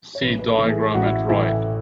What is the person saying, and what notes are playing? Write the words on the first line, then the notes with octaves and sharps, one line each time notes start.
See diagram at right.
C#5
A1 B4
B4
A4
A2 E3 A3
G#4
A1 F#4
E4
A2 E3 A3 E4